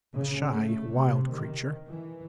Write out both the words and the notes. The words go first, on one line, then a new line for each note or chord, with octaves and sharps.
A shy, wild creature.
C#3
A3
C3
D#3
E3